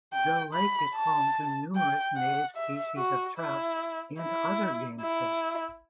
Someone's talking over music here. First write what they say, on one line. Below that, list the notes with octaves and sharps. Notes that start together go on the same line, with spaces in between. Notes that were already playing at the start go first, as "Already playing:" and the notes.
The lake is home to numerous native species of trout, and other game fish.
G5
B5
A5
G5
F#5
E5
F#4
E4
E4
E4